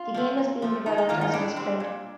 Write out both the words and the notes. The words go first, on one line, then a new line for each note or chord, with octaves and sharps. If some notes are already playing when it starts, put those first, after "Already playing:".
The game was being developed as it was played.
Already playing: F4
F3 A3
A#2
F3 A3
F2 D#4
D#4
D#3 A#3 F4
D#4
A2 D4
G3 C4
A#2